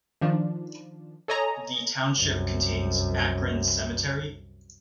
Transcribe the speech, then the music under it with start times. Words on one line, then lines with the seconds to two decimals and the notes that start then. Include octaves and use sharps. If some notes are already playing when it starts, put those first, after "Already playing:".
The township contains Akron Cemetery.
0.21 D#3 F3 D4
1.28 A4 C#5 D#5 G#5 A#5
2.15 C2 F#2